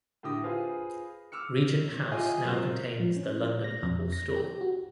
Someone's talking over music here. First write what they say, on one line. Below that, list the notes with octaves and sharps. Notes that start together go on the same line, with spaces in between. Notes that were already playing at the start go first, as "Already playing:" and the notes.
Regent House now contains the London Apple Store.
A2 D3 G4 D#6 A#6
F4 G#4 B4 C5 F5
D6 E6 F6 C#7
F4 G4 G#4 D#5 F5 G#5
F#3 A#3 C4 F4 C5
F3
C#4
D5
A#6
F2
A#6
G4
F#4